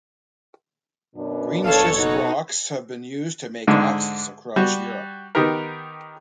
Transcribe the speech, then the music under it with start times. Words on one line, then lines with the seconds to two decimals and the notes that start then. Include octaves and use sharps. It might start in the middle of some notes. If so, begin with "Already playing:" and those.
Greenschist rocks have been used to make axes across Europe.
1.15 F#2 B2 D4
1.64 F#1 A4 C#5 F5 A5
1.96 B2 D#4 F#4
3.67 G#2 D3 G#3
4.56 G3 F#4
5.35 D#3 B3 D#4 G4 A#4